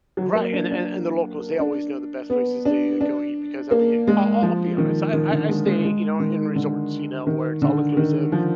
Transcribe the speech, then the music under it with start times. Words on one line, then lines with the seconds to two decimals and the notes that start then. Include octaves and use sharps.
Right. And and and the locals, they always know the best places to e go eat because, I mean, I'll I'll be honest. I I I stay, you know, in resorts, you know, where it's all inclusive.
0.17 F#3
0.35 A#3
0.52 D4
0.71 D4
1.59 D4
2.30 B3
2.65 D4
3.01 D4
3.71 A#3
4.07 G#3
4.42 F3
4.78 D#3
5.13 D#3
5.31 D3
5.49 G#3
5.66 G#3
5.84 G#3
6.20 D#3
6.56 D3
7.27 D#3
7.62 D3
7.97 D#3
8.32 F3